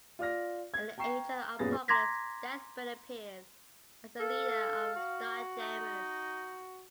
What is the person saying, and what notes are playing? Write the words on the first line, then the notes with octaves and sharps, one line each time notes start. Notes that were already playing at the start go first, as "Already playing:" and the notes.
In the Age of Apocalypse, Deathbird appears as the leader of the Starjammers.
F4 D5 F6 A#6
G#6
G5 A#5 C#6 C7 E7
F#2 A#2 B3 G#4 A6 A#6
A#5 C6 D6 G#6 A#6 B6
A4 F5
F#4
D#4